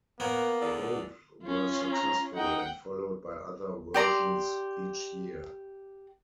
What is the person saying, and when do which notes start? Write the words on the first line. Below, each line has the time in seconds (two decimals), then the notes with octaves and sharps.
Both were successful and followed by other versions each year.
0.20 A#3 B3 A#4 C#5 F#5
0.61 E2 D3 D5
1.43 C#4 F4
1.94 A#5
2.34 D#4 F#5 G5
3.94 G4 D5 A#5 C6